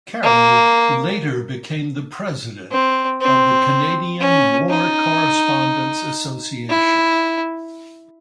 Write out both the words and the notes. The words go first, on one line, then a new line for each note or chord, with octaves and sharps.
Carroll later became the president of the Canadian War Correspondents Association.
A#3
C4
C4
C#4
D#4
E4